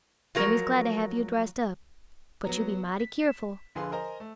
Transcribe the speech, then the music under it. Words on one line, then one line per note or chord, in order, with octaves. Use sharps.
"Mammy's glad to have you dressed up; but you be mighty keerful."
F3 F#3 A#4
F#3 B3 A#5
B6
E7
A#1 D3 G#4 B4 F5 C6
A#4 C5 D#5 G#5 A#5
A3